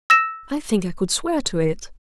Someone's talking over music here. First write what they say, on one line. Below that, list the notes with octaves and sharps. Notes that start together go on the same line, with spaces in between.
"I think I could swear to it."
E6 A#6 E7